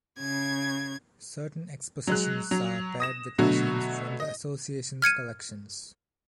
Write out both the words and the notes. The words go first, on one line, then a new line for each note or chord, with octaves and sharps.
Certain expositions are paired with machines from the Association’s collections.
C#3 G#6
F#3 G#3 F#6
F#3
D#6 A#6 E7
B2 D3 F#3 A3 F#4
D#5
F6 G#6 C#7 D#7